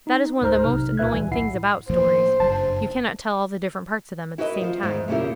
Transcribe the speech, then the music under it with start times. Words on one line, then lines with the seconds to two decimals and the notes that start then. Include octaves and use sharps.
That is one of the most annoying things about stories, you cannot tell all the different parts of them at the same time.
0.07 D#4
0.41 C#2 G#2 A#4 C5 A#5 F6
0.64 B1 C3 D#4 F6
0.97 C#2 A#2 B4 E5 F#6 G#6
1.12 D#2 E3 G3 G#5
1.31 B1 A2 E4 F#5 C7
1.90 A2 F3 A#3 C5
2.40 F#1 G2 G3 A5
4.38 E4 F#4 A#4 B4 D5 D#5
4.61 F3 F4
4.83 E2 G#2
5.08 E2 A#2 C#3 G3 E4 A#4